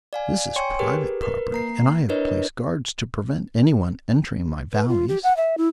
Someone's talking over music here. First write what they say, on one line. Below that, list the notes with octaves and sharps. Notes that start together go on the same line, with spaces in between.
"This is private property, and I have placed guards to prevent anyone entering my Valleys."
D5 F5 G#5
C#5 G5 G#5 C6 C#6 C#7
G4 G#4 A#4 B4
A#4 B4
A#3 A#5 C7
D4 E4 A#4 B4 C#5 D#5
B4
F4
G4
F#5
E5
E4